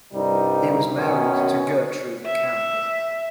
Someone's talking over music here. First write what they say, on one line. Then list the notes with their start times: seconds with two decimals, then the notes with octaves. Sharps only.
He was married to Gertrude Campbell.
0.13 C2 G2 G3 D#4
0.97 F#2 B2 D#3 C#4
2.25 E5